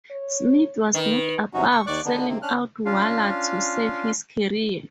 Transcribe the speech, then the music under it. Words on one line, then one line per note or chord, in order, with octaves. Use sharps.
Smith was not above selling out Waller to save his career.
C#5
D#3 B4
E2 C3 F#3 C#4 D#4 F#4
C#6
D#2 D#3 D5 C#6 D6 F#6
D3 D#3 B3 D4 D#4
C3 D#3 A#3 C4
C#4 D4 F6 F#6
C#4 D4 F4 F5